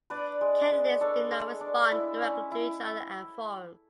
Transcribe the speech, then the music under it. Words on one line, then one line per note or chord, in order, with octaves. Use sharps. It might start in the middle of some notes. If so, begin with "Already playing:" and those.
Candidates do not respond directly to each other at forums.
D4 B4 D5
G#3
G#3
D4 A4 C#5
G#3
D4
E4
C#4
E4